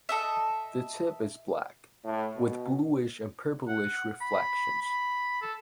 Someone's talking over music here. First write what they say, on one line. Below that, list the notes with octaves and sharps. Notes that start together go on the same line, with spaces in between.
The tip is black, with bluish and purplish reflections.
A4 D#5 E5
A2
B2
F#5
B5
B5
A4